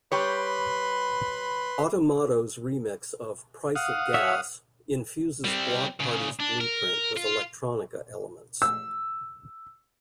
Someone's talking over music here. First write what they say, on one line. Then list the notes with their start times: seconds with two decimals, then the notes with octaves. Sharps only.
Automato's remix of "Price of Gas" infuses Bloc Party's blueprint with electronica elements.
0.12 G3 G4 B4 C#5 B5 C6
3.75 F5 F#5 D#6
4.14 F#4 C#5 E5
5.44 G3 C4
6.00 A#2 C#3
6.40 D4
6.61 A#4
7.17 F4
8.62 E6